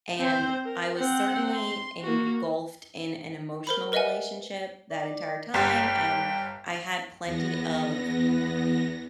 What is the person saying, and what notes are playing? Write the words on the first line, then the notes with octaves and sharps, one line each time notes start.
and I was certainly engulfed in an emotional relationship that entire time, and I had plenty of
C4 C5
A#4
C4 F#5
C6
A#3 F#4
A#4 C5 B5
A#4 B4 D#5 E5 F#5 G#5
D5
G1 G3 G5
E2 B3 A#6